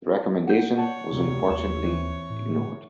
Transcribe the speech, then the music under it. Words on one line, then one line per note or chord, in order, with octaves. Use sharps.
The recommendation was unfortunately ignored.
F#5 G6
C#5 D5 F#5 A5
F1 D2 C3
D#2 E7
E3 C4
A2